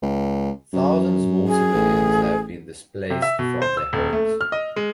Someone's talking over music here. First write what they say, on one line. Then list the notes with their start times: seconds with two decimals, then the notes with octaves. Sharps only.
Thousands more civilians have been displaced from their homes.
0.03 C#2
0.73 F#2
1.48 G#4
1.74 A1
3.10 C3
3.22 E5
3.39 B2
3.62 C5
3.77 E6
3.93 D#1
4.13 A3
4.41 F6
4.52 D#5
4.76 G#3